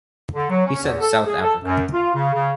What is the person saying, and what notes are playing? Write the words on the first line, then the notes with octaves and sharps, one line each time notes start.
He said, South Africa.
D3
F#3
C#4
E2
A4
G#4
A4
F#2
F4
C#3
C#3